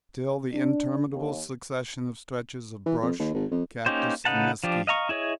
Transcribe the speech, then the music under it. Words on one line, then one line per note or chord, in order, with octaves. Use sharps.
Still the interminable succession of stretches of brush, cactus, and mesquite.
D4
D#2
E3
F2
D#2
G#1
F2
A#3 C#4 D#4 G4 C5
C#3 D#4 B4 F#5 A5
F3 D4 G4
D#5 F5 A#5 C#6
E4 G#4 C#5 D#5